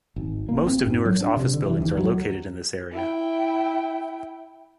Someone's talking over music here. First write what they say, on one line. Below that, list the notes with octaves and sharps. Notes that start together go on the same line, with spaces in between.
Most of Newark's office buildings are located in this area.
G#1
A#3
C4
G#2
F#3
D4
C3
D3
E3
D#2
F#3
E4 G5